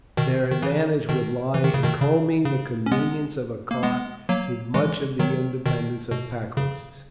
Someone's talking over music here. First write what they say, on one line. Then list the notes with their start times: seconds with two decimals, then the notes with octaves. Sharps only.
Their advantage would lie in combining the convenience of a cart with much of the independence of pack-horses.
0.17 B2 D#3
0.51 D#3
0.62 C#3 E3
1.09 B2 D#3
1.54 E3
1.64 D#3
1.74 C#3
1.83 B2 D#3
2.01 C#3
2.45 C#3
2.86 C#4
2.92 G#3 B3
3.71 A#3
3.83 G#3 B3
4.29 F#3 A#3
4.74 E3 G#3
5.19 D#3 F#3
5.66 B2 D#3
6.11 B2
6.57 C#3